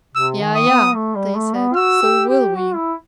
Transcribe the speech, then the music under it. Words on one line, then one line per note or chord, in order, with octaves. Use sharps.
"Yea, yea," they said, "so will we."
C3 E6
D#3
D#6
B3
A3
G3
A3
B3
F#4 E6
G4
G4
F#4
E4